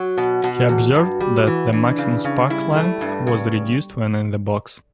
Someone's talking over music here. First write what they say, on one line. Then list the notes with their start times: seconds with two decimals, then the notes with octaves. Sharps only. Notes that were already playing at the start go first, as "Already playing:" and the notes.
He observed that the maximum spark length was reduced when in the box.
Already playing: F#3 F#4
0.17 B2
0.44 B2
0.69 E2
0.95 G2 F#4
1.20 G3
1.47 E3
1.72 E3 D4
1.98 C#3
2.24 C#3
2.50 G3 E4
2.76 A3
3.01 G2
3.27 C#3